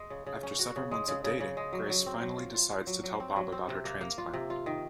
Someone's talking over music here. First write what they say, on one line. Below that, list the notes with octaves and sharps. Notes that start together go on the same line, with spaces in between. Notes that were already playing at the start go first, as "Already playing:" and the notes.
After several months of dating, Grace finally decides to tell Bob about her transplant.
Already playing: G#3
C#3
C#3
C#4
F#4
C#3
G#3
C#3
C#3
C#3
G#3
F#3
F#3
C4
F#3
F4
F4
F4
F#3
F#3
C4
F#3
C4
C3
A#3
A#3
F4
C3
F4
D#3